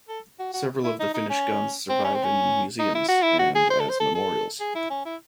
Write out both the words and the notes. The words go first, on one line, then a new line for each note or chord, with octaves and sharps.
Several of the Finnish guns survive in museums and as memorials.
A4
F#4
F#4
E4
D#4
D#4
C#4
C4
C#4
C4
C#4
D#4
E4
F#4
E4
F#4
G#4
C5
A4
C5
A4
A4
G#4
E4
C#4
E4